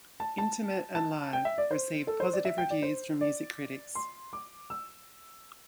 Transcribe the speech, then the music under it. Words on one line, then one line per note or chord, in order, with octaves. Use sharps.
"Intimate and Live" received positive reviews from music critics.
A5
A5
A5
G5
E5
D5
C5
A4
C5
D5
E5
G5
D5
C5
D5
C6
D6
E6